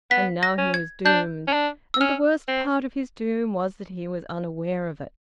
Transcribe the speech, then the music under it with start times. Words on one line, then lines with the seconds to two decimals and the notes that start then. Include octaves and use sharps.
And now he was doomed, and the worst part of his doom was that he was unaware of it.
0.11 B3 B6
0.43 A#6
0.58 C#4
0.74 G#6
1.06 D4 G6
1.48 C#4
1.54 D4
1.94 E6
2.01 C#4 F6
2.48 C4